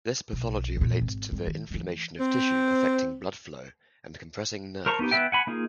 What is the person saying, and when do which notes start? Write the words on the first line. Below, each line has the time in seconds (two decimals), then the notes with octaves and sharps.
This pathology relates to the inflammation of tissue affecting blood flow and compressing nerves.
0.33 B1
0.77 E2 A#2
1.01 G#1
1.31 G#1 G3
1.47 D#3
1.71 E3 A3
2.19 C4
4.86 A#4 C5 A5 A#5 C#6
4.99 B3 D#4 E4 G4
5.11 B3 B4 E5 G5
5.32 F#5 G#5 B5
5.47 A#3 D#4 F4 G#4